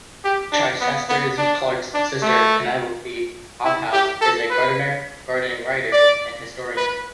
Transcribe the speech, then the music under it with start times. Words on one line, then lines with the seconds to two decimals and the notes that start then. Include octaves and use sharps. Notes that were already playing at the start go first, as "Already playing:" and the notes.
Chichester-Clark's sister, Penelope Hobhouse, is a gardener, gardening writer and historian.
0.25 G4
0.52 D4
0.81 B3
1.09 B3
1.38 D4
1.94 D4
2.22 A3
3.65 E4
3.93 G4
4.21 A4
4.51 B4
5.92 D5
6.77 B4